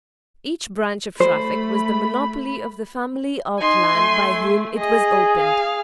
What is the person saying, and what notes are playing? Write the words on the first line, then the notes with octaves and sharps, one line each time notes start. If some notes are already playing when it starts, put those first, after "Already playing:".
Each branch of traffic was the monopoly of the family or clan by whom it was opened.
A3 C5 B5
D#4 G#5 C6
A3
G#4 D#5
F5